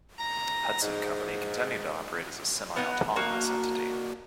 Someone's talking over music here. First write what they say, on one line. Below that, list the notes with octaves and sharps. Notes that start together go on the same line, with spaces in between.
Hudson Company continued to operate as a semiautonomous entity.
A#5
G#2
B3 D#4 D#5 F#5
A#3 D4 D#4 F#4